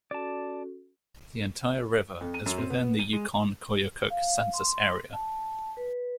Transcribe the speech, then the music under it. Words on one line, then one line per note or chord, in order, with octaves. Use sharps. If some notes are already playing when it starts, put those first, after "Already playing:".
The entire river is within the Yukon-Koyukuk Census Area.
C#4 F#4 A4 D5 A5
F2
D#7
F#2
C4
B3
D#7
G#3
F5
C6
A5
B4